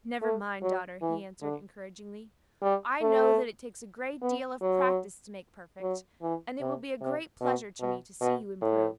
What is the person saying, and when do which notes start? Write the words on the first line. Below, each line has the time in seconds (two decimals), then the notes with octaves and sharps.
"Never mind, daughter," he answered, encouragingly; "I know that it takes a great deal of practice to make perfect, and it will be a great pleasure to me to see you improve."
0.22 A3
0.62 F#3
1.02 E3
1.41 D3
2.62 G3
3.02 A3
4.22 B3
4.61 F#3
5.81 F#3
6.22 E3
6.61 C3
7.01 C3
7.41 B2
7.81 B2
8.21 B2
8.61 A2